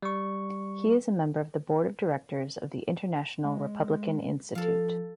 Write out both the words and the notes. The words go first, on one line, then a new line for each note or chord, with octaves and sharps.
He is a member of the board of directors of the International Republican Institute.
G3 C#6
G#3
F3 A4 F5